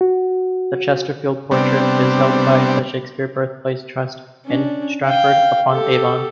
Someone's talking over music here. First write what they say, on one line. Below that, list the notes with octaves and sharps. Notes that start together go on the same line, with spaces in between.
The Chesterfield portrait is held by the Shakespeare Birthplace Trust in Stratford-upon-Avon.
F#4
C3 G3 B3 C4 D4
C#4 D4
F5 G5
G4 A4